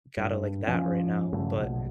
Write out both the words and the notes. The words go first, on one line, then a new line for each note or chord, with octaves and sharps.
got it, like, that right now." But,
G2
F#2 F3 C#4
G2 C#3 F#3 A3
A#1 B2